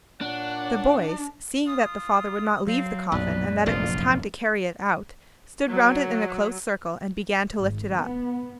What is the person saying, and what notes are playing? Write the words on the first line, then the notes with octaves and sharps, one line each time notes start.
The boys, seeing that the father would not leave the coffin and that it was time to carry it out, stood round it in a close circle and began to lift it up.
A#2 D4 C#5 F#5
F4 D#6
F#3 C4 F5
B1 F#2 A#2 B4 D5
F1 A#1 G#2 F4
F#3
G#1
B3